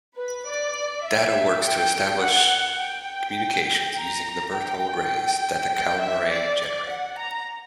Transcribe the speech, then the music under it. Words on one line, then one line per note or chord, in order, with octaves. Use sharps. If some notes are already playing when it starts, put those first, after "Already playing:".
Data works to establish communications using the Berthold rays that the Calamarain generate.
B4
D5
E5
G5
F#5
F#5
G5
A#5
G5
G5
E5
D5
F#5
A#5